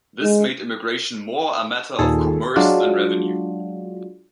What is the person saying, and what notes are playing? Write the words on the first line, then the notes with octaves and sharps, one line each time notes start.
This made immigration more a matter of commerce than revenue.
G#3
D#2 A#2 G#4 A4
F#3 G#3 D4 F4 F#4